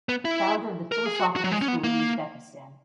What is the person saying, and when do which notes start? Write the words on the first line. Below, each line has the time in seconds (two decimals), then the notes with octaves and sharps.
Founder of the philosophical school in Uzbekistan.
0.09 B3
0.25 E4
0.92 A#4
1.05 G#4
1.20 F#4
1.36 F#4
1.44 F#3
1.52 G#3
1.62 C#4
1.68 B3
1.84 A#3